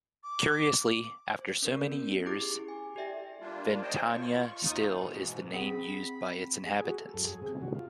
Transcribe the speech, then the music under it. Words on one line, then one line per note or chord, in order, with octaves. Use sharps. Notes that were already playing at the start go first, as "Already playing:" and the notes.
Curiously, after so many years, Ventania still is the name used by its inhabitants.
D6
C5
C#4 A#4 D5
B3 C#4
E4 G4 G#4 D6
G#5
G4 A4 D5 E5 G5 A#6
G3 A#3 D4 F4
C5 C#5 D#5 G5 A5
F4 C#6
D#2 D#4 F4 C#6 D#6
G#2 B2 E3
C4 G#4 F#5 B5
G#4
F#4
A4
F#2
G#4
C3
F#4
F4